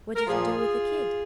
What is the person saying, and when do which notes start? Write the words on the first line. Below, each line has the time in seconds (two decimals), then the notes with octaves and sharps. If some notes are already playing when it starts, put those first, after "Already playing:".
'What did you do with the kid?'
0.15 A#4
0.27 A#2 F3 F4 G#4